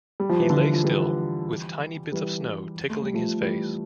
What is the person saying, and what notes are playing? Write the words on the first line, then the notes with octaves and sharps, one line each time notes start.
He lay still, with tiny bits of snow tickling his face.
G3
F3
E3
D3 F3
F3
E3 G3
E3 G3
A3
G3
F3 A3
E3 G3